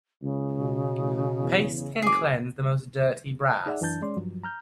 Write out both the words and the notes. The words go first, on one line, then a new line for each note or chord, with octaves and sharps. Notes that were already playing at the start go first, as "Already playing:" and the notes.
Paste can cleanse the most dirty brass.
C#2 C#3
B2
A1
E2
F#1 G#4 D6
D#4 G#4 D5 E5 F#5
F#2 E3 D4 A5 G6 A6
G#3 C#4 D5 C6
G2 F3 F#3
A#5 F6 G6